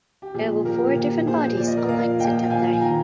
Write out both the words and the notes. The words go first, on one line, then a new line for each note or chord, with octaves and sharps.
There were four different bodies elected that day.
G4
A#2 F3 G#4
A#2 F3 G4 A#4
A#2 F3
A#2 F3 G#4 C5
A#2 F3 D5
D#5
A#4 D5
A#2 F3 D5 F5
A#2 F3 D#5 G5
G5
A#2 F3 F5 G#5
G#5
D#3 G5 A#5